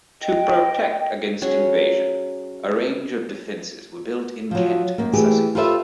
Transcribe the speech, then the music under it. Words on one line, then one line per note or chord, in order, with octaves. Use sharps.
To protect against invasion, a range of defences were built in Kent and Sussex.
D#5 G5
F#3 C#4 G#4 C#5
F3 F#3
F#2 A#3
E3 A3 G4 G#4
F4 G4 A4 B4 C5 E5